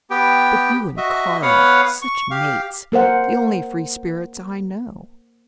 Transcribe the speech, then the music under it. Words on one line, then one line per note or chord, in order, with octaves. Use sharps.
But you and Karl--such mates--the only free spirits I know!
B3 G4 G5
F#4 D#5 E5
B3 B4 C#5 F5 F#5
C#6
G4 F5
A#3 A#4 C5 F#5